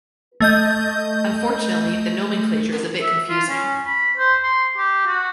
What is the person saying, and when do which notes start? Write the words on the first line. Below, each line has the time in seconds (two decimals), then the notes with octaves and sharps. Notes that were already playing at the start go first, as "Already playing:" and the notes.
Unfortunately, the nomenclature is a bit confusing.
0.40 A3 D#5 G6
3.02 E5
3.29 F4
3.48 C#4
3.86 B5
4.17 C5
4.43 C6
4.77 G4
5.06 F#4